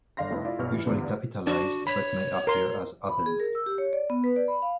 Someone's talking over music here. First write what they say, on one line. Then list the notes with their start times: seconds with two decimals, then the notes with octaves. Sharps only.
Usually capitalized, but may appear as "abend".
0.17 G1 D4 F5 C6 A#6
0.31 F1 F2 E4 B4
0.45 E4 F4 D5
0.59 B1 G2 B3 C#6 F6
0.72 E3 E4
0.85 E2 G2 D3 E3 B3
1.47 D4 F#4
1.87 C#5 B5
2.47 A#4 C6
3.09 B5
3.26 G#4
3.40 A#4
3.55 E6
3.66 G4
3.78 C#5
3.93 D5
4.10 B3
4.24 B4
4.36 D5
4.48 B5
4.62 F5